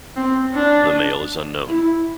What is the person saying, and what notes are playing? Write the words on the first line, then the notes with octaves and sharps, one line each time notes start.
The male is unknown.
C4
D4
E4